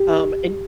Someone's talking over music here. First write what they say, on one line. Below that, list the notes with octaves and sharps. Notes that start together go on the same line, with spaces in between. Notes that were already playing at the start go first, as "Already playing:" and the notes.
Um, and
Already playing: G4